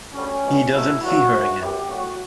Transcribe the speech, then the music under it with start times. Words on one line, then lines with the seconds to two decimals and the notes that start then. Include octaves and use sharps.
He doesn't see her again.
0.13 D2 D3 G3 C#4
0.43 C#2 B2 G3
0.72 C#2 B2 F#3 A3 E4
1.00 G2 F#3 A3 F#4
1.30 F#2 C#3 E3
1.58 F#2 E3 G3 G4
1.87 A2 G3 F#4